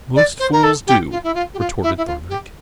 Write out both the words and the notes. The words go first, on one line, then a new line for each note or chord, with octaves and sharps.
"Most fools do," retorted Thorndyke.
D5
C5
A#4
A4
G4
F4
E4
F4
G4
F4
E4
E4
F4
G4